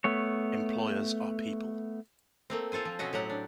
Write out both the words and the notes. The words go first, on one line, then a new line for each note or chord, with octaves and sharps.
Employers are people.
A3 B3 C#5
A3 A#3 C4
F4 A4 C5 G#5
F3
B2 C4 C#4 F#4 D#5
A2 F#3 G4 F#5
D4